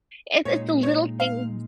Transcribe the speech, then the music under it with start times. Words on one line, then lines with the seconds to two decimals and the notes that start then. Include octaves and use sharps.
It's it's the little things
0.45 A#2 G#3 D#4 C#5
0.83 C#5
1.20 F5